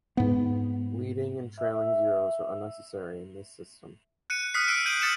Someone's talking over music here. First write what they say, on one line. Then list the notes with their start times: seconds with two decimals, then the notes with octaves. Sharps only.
Leading and trailing zeros are unnecessary in this system.
0.17 G#2 B3
1.60 E5
4.30 F#6 C#7 D#7
4.54 D#6 F6 F#6 B6 C7
4.68 E6 C7 D7 D#7
4.86 G6 D7 D#7 F#7
5.01 D#6 F#6 A6 C#7 E7 F#7